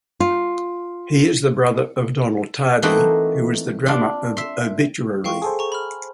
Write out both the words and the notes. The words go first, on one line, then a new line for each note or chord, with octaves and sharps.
He is the brother of Donald Tardy who is the drummer of Obituary.
F4
E3 A3 A#3 C4 D#4 F#4
D4 F4
E5 C6
E3 G#3 F4 F5 G5 C#6
G#4 A4 C5
A#5 C#6
B5 F6